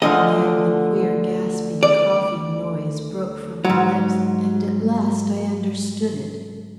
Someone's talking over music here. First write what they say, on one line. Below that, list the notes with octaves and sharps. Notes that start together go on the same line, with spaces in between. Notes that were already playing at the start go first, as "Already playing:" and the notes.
Again the queer gasping coughing noise broke from her lips, and at last I understood it.
D2 D3 F3 D#5
D5
F#3
G#2